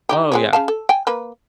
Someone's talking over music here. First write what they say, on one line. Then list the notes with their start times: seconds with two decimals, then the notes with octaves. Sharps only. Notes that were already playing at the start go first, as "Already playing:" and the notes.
Oh, yeah.
0.09 D#4 E4 G4
0.32 G#3 C4 C#5
0.53 C#3 F5 A5
0.68 A4
0.89 G5 G#5
1.07 A#3 B4